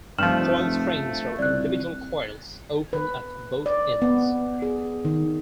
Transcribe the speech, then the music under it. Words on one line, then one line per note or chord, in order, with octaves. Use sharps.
Coil springs are individual coils, open at both ends.
F1 G2 F3 A3 F6 E7 F#7
C2 D5 F#6
B4
D5
B3
G#4
D#3